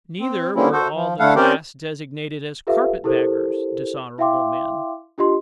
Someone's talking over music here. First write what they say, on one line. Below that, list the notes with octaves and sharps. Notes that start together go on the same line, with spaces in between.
Neither were all the class designated as carpetbaggers dishonourable men.
C4
D3 G3 A#3 C4 C#4 E4
F#4 A4 C5
F3
D3 A3 E4 A4 F5 F#5
C4 C#4 G4 A#4 C5 D5
F4 G4 A4 B4 E5 F5
E4 G4 A4 A#4 C5
E4 E5 F5 G5 C6 D6
D4 F4 G4 D#5 C6